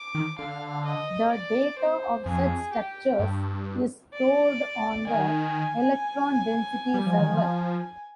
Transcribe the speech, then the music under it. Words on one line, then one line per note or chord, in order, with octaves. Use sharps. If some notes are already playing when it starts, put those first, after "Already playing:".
The data of such structures is stored on the "electron density server".
Already playing: D6
D#3
D3 F5
D#5
D5
C5
F2 G#4
G4
G2
D5
D#3 G#5
G3
F3
D#3
F3